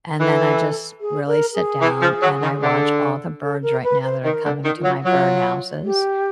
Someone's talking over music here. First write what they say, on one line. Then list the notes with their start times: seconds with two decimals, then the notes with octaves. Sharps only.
and then I just really sit down, and I watch all the birds right now that are coming to my birdhouses,
0.19 E3 A4
1.01 G#4
1.27 A#4
1.54 G#4
1.81 E3
2.01 F3
2.22 F#3
2.42 D#3
2.62 D3
3.43 A4
3.63 A#4
3.84 B4
4.04 C5
4.24 D#3 A#4
4.44 D3
4.64 D#3
4.78 F4
4.84 F#3
5.04 F#3 F4
5.85 G4